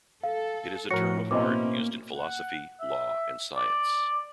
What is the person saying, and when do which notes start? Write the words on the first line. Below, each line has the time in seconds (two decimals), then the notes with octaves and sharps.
It is a term of art used in philosophy, law, and science.
0.23 A4 F5
0.91 A2 F3 F#4 A#4 C#5 A#6 C#7
1.31 B2 A#3 C4 C#4 E4 D#5 G#5 D6
2.15 F#5
2.80 E5
3.56 D5